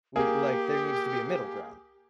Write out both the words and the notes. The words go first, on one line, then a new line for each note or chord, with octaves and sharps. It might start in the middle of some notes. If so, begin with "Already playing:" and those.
We like, there needs to be a middle ground
A#3 G4 G#4